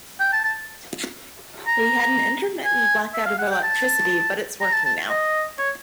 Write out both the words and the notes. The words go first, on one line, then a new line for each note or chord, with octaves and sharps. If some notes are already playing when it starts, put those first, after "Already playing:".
We had an intermittent blackout of electricity, but it's working now.
G5
A5
A5
A#5
G#5
E5
F5
F#5
G5
A5
A#5
A5
A5
D#5
C#5